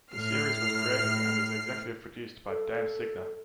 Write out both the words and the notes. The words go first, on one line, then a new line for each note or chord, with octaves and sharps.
The series was created and is executive produced by Dan Signer.
A2 F6 C7
A4